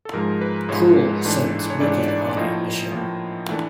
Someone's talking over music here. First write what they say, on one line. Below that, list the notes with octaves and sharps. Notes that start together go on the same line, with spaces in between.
Kruel sends Wikked on a mission.
A4
G#2 F3 G#3 A#4
B4
G#2 F3 G#3 C#5
G#2 E3 A3 D4
C#5
G#2 E3 A3 D4 D5
C#5
D5
D5
A2 F3 A#3 D#5
A2 F3 A#3
E3 A3 D4